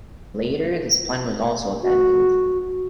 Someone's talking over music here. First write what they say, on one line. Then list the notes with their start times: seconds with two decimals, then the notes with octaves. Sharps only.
Later this plan was also abandoned.
1.83 F#4